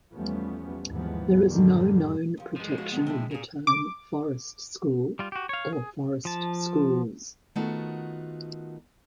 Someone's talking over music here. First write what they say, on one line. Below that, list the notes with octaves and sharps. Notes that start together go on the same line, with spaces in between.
There is no known protection of the term "forest school" or "forest schools".
E2 F3 G3 A3 B3 C#4
D#2 G#2 E3 F3 G#3 B3
F#2 A2 D3 D#3 F3 G3
D#2 F3
G2 F3 G#3
F#4 F5
D3 D#3 B3
C4 D4 E4
A#2 A#3 G#4
D6
G3 F4
F#4 G4
C#5 F5
G#4
F3 A5
D#3 A3 B3 F4 F#4